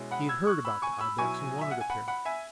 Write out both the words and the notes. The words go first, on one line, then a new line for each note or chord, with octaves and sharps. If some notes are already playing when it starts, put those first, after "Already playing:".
He had heard about the ibex and wanted a pair.
Already playing: B2 G#3 C#4 E4
F#5 B5
E6 G#6
C#6 F#6
B5 E6
G#5 C#6
B5 E6
B2 F#3 E4 G#5 C#6
E5
F#5
G#5
F#5 B5
F#5 B5
E5 G#5